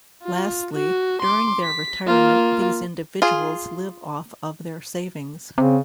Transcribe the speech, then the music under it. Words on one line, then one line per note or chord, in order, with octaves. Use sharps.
Lastly, during their retirement these individuals live off of their savings.
F4
F#4
C6 D6
B6
A#3 F4
F4 G#4
C#3 C4